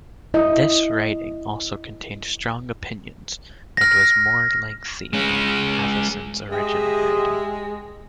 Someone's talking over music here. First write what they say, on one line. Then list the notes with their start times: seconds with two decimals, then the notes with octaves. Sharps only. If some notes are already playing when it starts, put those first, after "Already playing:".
This writing also contained strong opinions and was more lengthy than Avison's original writing.
0.34 E4 D#5
3.77 F6 A#6
5.13 G#3 C#4
6.52 G#3 G4 D#5 E5